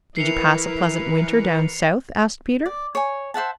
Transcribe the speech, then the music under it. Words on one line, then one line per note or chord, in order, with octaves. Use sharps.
"Did you pass a pleasant winter down South?" asked Peter.
E3 E4 A#4 B4 C7 C#7 F7
D5
C#5 G#5
C5 E5 F#5 A5